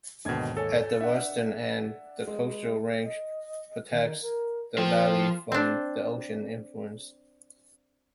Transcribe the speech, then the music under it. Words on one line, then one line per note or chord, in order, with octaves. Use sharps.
At the western end, the coastal range protects the valley from the ocean influence.
D#2 G#2 B2 D3 G#6
A4 C#5 G#5
D4 E5 F#5
G#3
D#5
D#3
A#4
F3 A#3 C4
C4 D4